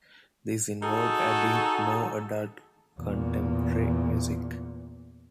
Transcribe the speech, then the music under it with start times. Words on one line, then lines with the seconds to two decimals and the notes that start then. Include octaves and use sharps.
This involved adding more adult contemporary music.
0.83 D#4 F#4 G#4 A4
3.00 E2 A#2